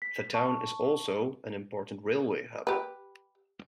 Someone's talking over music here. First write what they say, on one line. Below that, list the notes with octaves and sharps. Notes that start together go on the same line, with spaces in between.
The town is also an important railway hub.
B6
A5 C#6
G4 B4